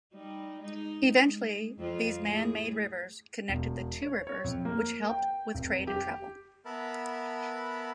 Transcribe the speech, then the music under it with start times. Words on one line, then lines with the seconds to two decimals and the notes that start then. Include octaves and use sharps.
Eventually these man-made rivers connected the two rivers which helped with trade and travel.
0.14 G3 D#4
0.61 G#3 D#4
1.23 G#3
1.78 F2 C4 F4
2.20 A2 G#4
3.48 E1
4.02 C#5
4.27 C#5
4.44 F2
4.65 A#3
5.09 G5
5.55 F1
5.87 G4
6.65 B3 A#4 E5 A5 B5